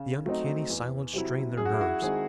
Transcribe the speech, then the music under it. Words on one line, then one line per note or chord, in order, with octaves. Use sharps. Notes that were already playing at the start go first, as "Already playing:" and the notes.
The uncanny silence strained their nerves.
Already playing: C#3
F#3 A3 C4 D#4
E2
C3 F#3 C4 E4
F#2 G#4
F#4
E4
F#4
D#3 G#3 C4 D#4 G#4